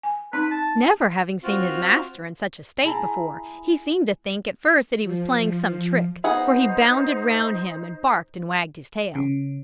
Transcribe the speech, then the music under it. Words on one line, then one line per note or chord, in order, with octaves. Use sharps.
Never having seen his master in such a state before he seemed to think at first that he was playing some trick, for he bounded round him, and barked, and wagged his tail.
G#5
C4 D#4 B4
A5
C4 F4 F#4
E4 G#4 A5 A#5
F3
B3 D#4 G#4 C5 F#5
C#3